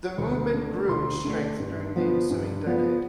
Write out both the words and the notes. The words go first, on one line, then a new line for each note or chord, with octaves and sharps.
The movement grew in strength during the ensuing decade.
D2
D3 A3 D4
D2 C6
D3 A3 D4
G2
F3 B3 F4
G2
F3 B3 F4